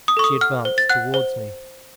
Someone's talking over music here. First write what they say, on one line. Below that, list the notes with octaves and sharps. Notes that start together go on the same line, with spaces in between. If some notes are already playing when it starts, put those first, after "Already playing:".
She advanced towards me.
D#6
A4 C#6
D#6
F#5 F6
C5
A6
F#5 F#6
C5